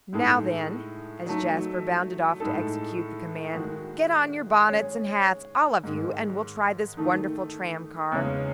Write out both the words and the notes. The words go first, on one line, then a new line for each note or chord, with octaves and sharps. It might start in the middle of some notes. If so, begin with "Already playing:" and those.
Now then," as Jasper bounded off to execute the command, "get on your bonnets and hats, all of you, and we'll try this wonderful tram-car.
A2 G#3 D#4 A4
F#3 A3 D#4
A2 G#3 D#4 A4
D#3 G#3 D#4 F#4
G#3 C#4 G#4 C#5
G#2 D#3 G#3
D#3 A3 D#4
E2 C#3 G#3 C#4